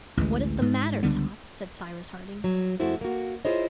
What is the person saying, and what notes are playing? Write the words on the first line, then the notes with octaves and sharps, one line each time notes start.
"What is the matter, Top?" said Cyrus Harding.
A1 D2 E3 G#3
G#2
C#2 D3 G3 B3
F#3
F2 G#3 A3 E4 F#4 C5
A#3 F#4
E4 F4 G#4 C5 C#5 D#5